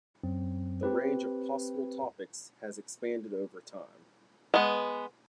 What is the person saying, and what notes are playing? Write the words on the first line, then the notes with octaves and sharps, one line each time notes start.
The range of possible topics has expanded over time.
F#2 F#3 C4
C4 G4 B4
G#3 B3